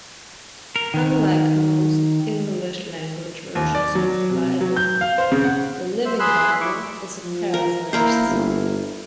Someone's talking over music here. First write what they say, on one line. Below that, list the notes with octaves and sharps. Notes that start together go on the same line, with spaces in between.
Unlike most English language versions of the Bible, "The Living Bible" is a paraphrase.
A#4
D#3
D#2
D5
F#3
C3
F#3
G6
F5
C5
C#3
F#5
C5 E5
G#4 B5 C6 E6 F#6
E4 E5 C#6 D6
F3
A#4
A#3 E4 A#4 C5
G1